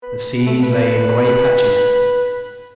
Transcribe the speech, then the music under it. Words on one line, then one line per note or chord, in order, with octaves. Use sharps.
The seas lay in gray patches.
B4
A3
B4